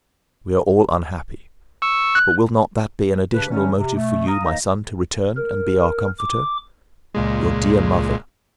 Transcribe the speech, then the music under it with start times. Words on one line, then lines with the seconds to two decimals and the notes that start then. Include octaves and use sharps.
We are all unhappy; but will not that be an additional motive for you, my son, to return and be our comforter? Your dear mother!
1.82 C#6 E6
2.15 F#6
3.34 C#3 D4 G4 B4
3.49 D3 E3 F#3 G3 A3 C#4
3.76 C3
3.95 B2 A3
4.27 F5 A#5 D#6
4.44 E3 A#3 D#4 D#5
5.37 A#4
6.19 D6
7.15 C#2 A#2 G#3